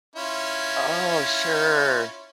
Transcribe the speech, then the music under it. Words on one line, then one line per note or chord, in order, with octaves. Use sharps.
Oh, sure.
C#4 E4 F4